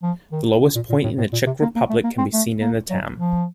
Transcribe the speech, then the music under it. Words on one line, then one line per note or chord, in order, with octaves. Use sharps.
The lowest point in the Czech Republic can be seen in the town.
F3
D#3
C#3
A#2
A#2
A2
A2
A#2
C3
A#3
A#3
A3
A#3
C4
A3
A#3
F#3
F3